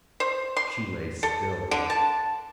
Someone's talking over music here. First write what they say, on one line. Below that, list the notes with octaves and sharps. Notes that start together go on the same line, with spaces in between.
She lay still.
C5
C6
A4
D3
A5